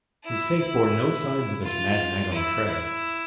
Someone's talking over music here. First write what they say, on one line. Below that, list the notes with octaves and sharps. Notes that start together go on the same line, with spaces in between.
His face bore no signs of his mad night on the trail.
E4
E4
F4
E4
E4